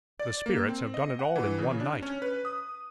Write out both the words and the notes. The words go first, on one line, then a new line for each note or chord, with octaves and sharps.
The Spirits have done it all in one night.
D5
A#3
C4
D#5
F#5
E3
C#3
D4
C#4
B4
D#6